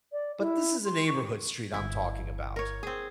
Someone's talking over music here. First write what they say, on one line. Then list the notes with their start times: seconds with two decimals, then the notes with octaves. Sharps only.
but this is a neighborhood street I'm talking about,
0.12 D5
0.39 E4
0.85 C6
1.07 C#6
1.74 G1 E4
2.56 A#4 C#5
2.83 C4 G#4